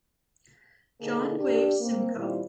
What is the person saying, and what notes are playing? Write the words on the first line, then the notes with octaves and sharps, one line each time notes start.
John Graves Simcoe.
D3 A#3 D#4 G#4 A4
D4 G4
A#3 C4
A#2 D#3 G3 C4 E4 F4